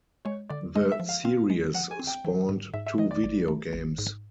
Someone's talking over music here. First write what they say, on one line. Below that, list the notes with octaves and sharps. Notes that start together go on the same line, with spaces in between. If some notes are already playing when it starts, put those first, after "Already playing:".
The series spawned two video games.
G#3 C#5
D3 D5
G#3 D#5
E5
F3
F5
C4 F5
G#3
F3 F#5
G#5
C4
G5
E3
G#2
G#2 E5
E5
E3 D#5
D5
G#1
A3
G#1
G#2